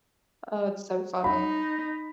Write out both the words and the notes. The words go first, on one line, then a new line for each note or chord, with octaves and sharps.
Oh, it's so funny.
D#4 B5